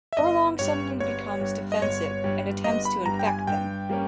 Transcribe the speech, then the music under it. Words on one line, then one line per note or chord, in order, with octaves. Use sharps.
Furlong suddenly becomes defensive and attempts to infect them.
E5
G1 D#5
G2 G3 C#5
G1 C#5
G2 G3
D#5
G1 C#5
G2 G3
G1 D#5
B5
G2 G3 A#5
G5
G#5
G2 G5
G3 A#3 C#4